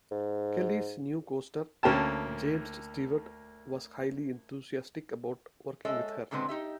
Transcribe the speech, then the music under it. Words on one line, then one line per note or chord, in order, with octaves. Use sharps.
Kelly's new costar, James Stewart, was highly enthusiastic about working with her.
G#2
D2 A#3 C#4 G5 A5
G#3 A4 C#5 D#5 E5
A#2 D3 G#3 B3 C4
D#4 G4 E5